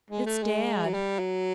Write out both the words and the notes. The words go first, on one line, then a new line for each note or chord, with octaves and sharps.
It's dad.
G#3
A3
G#3
F#3
G3
F#3